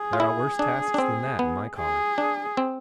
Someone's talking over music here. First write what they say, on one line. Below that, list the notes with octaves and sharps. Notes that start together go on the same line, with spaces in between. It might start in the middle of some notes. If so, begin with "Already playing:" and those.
There are worse tasks than that, in my calling.'
Already playing: G#4
F4
E4
D4
D4
C4
B3
G#4
D4
C4